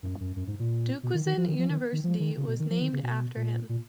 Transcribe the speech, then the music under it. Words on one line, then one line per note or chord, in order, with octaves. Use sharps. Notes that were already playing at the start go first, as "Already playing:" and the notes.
Duquesne University was named after him.
F#2
F#2
F#2
G#2
A#2
B2
D#3
D#3
F3
D#3
F3
D#3
D#3
F3
D#3
C#3
B2
D#3
F3
D#3
C#3
B2
A#2
A#2